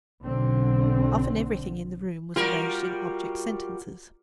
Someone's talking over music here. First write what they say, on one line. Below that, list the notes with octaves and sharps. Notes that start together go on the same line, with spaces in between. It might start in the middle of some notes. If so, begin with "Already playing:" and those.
Often everything in the room was arranged in object sentences.
B1 D3 C4
G3 F4 F#4 A#4